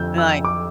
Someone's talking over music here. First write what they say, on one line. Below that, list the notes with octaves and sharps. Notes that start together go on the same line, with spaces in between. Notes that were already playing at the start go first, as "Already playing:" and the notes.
and like
Already playing: F2 D3 F3 E6 G6
E6
D6